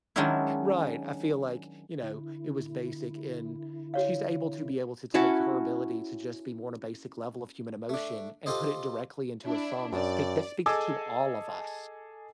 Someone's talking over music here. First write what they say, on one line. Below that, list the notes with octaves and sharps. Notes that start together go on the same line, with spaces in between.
right, I feel like, you know, it was basic in she's able to be able to take her ability to just be more on a basic level of human emotion and put it directly into a song that speak that speaks to all of us.
D#3 F#3 G#3 C#4 D4 E4
D3 E4
F#4 C#5 F5
C#4 E4 F#4 A5
A3 D4
F4 G4 A4 C5 D#5
D4 E4
F#2 D5
G#4 A4 D#5 G#5 D6 E6